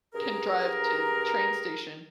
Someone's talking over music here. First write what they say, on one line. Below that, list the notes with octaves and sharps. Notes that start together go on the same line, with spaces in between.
can drive to the train station
G2 G#4 A#4